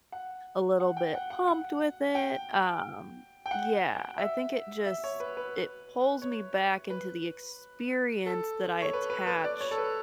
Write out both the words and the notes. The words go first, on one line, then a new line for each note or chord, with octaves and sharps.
a little bit pumped with it, um, yeah, I think it just it pulls me back into the experience that I attach
F#5
F#5
G5
F#5
F#5
F#5
G5
G5
F#5
E5
E5
C#5
B4
B4
C#5
B4
A4
C#5
B4
B4
B4
D5
C#5
A4
B4